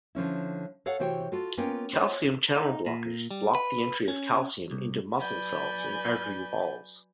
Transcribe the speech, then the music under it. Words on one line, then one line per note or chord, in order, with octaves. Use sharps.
Calcium channel blockers block the entry of calcium into muscle cells in artery walls.
D3 F3 C#4 E4
A4 C#5 F5 F#5
C3 E3 F#4 C5 C#5 G5
F4 F#4 A4
A#3 B3 C#4 F4 A#4 G5
F4 C5 C#5
D#4
A#2
G3
B4
C#4
C2
F#3 B4 D5 G#5 B5 G6